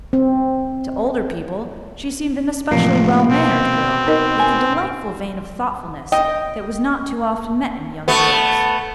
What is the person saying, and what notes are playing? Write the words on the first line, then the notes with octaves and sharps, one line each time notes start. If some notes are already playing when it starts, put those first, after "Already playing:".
To older people she seemed an especially well-mannered girl, with a delightful vein of thoughtfulness that was not too often met in young girls.
C4
A2 C3 E3 F3 A#3
B2 C4
D#4 A#4 D#5
G#5
D#5 G5
A3 B3